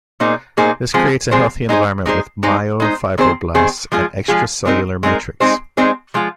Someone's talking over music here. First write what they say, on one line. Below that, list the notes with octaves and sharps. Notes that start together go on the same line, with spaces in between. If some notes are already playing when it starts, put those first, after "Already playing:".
This creates a healthy environment with myofibroblasts and extracellular matrix.
A#2 A#3 D#4 G#4 C5
A#2 A#3 D#4 G#4 C5
F3 G#3 C4 G#4 C5
F3 G#3 C4 G#4 C5
G#3 D#4 G#4 C5
G#3 D#4 G#4 C5
G#3 D#4 C5
G#3 D#4 C5
D#3 C4 G#4 C5
D#3 C4 G#4 C5
F3 G#3 F4 G#4
F3 G#3 F4 G#4
G#3 C4 D#4 A#4
G#3 C4 D#4 A#4
G#3 C4 D#4 G#4 C5
G#3 C4 D#4 G#4 C5
F3 G#3 F4